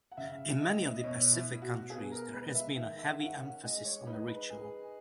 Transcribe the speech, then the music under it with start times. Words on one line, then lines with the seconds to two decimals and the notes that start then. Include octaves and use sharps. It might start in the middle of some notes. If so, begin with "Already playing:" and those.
In many of the Pacific countries, there has been a heavy emphasis on ritual.
0.12 F#5
0.17 C#3 E5
0.60 E4 D#5
0.94 D#5
1.03 B2 C#5
1.33 E4
1.47 B2
1.62 F#4
1.90 B3 G#4
2.11 A#4
2.34 G#3 B4
2.55 E5
2.76 D#3 E5
2.98 E5
3.19 C#4 F#5
3.42 F#5
3.63 G#3 D#5
3.85 C#5
4.07 D#4 B4
4.28 B4
4.50 G#4